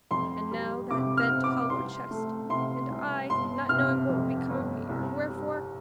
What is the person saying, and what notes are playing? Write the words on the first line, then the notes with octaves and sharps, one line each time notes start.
"And now that bent, hollow chest ... and I, not knowing what will become of me, or wherefore..."
F2 C6
G3
C3 D6
F6
C4
D6
C2 C6
A3
C3 C6
C2
G1 C6
C3 F6
F2
G1
C2
G3